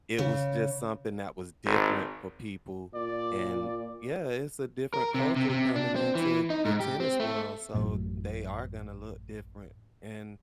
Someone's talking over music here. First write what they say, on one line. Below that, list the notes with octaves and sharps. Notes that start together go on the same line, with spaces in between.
it was just something that was different for people. And, yeah, it's a different culture coming into the tennis world, so they are gonna look different. And,
C#3
G#1
A#2 D5
A#4
C3
C3
C3
D4
C4
E3
D#4
G#2
G4
C4
A3
A1 F#2 A2